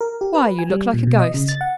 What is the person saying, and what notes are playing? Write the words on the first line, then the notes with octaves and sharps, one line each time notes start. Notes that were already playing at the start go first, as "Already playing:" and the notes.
'Why, you look like a ghost.
A#4
G4
B4
G#5
G3
A#2
B2
D#5
C#3
A6
F#5